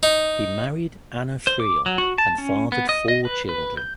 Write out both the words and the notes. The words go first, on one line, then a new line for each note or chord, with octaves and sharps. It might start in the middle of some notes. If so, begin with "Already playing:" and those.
He married Anna Friel and fathered four children.
D#4
C5
D6
F#3
F#4
A5
C#4
B3
D#5
D#5
B4
B4
G6